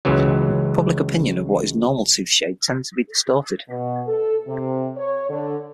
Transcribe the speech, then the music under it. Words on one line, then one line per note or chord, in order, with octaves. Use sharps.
Public opinion of what is normal tooth shade tends to be distorted.
C#2 C#3 E3 F#3
B2
A4
C3
C#5
D3